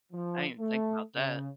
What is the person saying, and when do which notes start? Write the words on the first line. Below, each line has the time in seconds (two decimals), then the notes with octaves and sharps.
I didn't think about that.
0.13 F3
0.60 A3
1.16 C#3